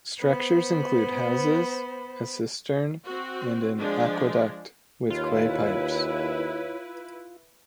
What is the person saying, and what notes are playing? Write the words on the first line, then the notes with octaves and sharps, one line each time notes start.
Structures include houses, a cistern and an aqueduct with clay pipes.
B3 C5 B5
C4 F#4
F3 G#3 D4
D#2 E4 F4 B4 C#5